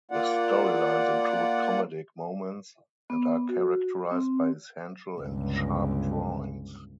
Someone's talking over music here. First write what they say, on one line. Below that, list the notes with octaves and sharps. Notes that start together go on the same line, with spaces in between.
The storylines include comedic moments and are characterised by essential and sharp drawings.
A#3 F4 D5 F#5
B3
F#4
C4
G1 C#2